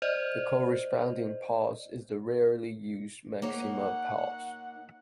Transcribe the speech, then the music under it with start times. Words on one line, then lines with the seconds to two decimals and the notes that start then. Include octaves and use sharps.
The corresponding pause is the rarely used maxima pause.
0.02 C5 D5 D#5
3.42 A#3 D#4 C#5 F#5